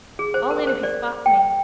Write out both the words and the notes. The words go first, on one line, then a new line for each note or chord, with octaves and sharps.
All in if he spots me.
G#4
C5
A#4
C5
D5
G5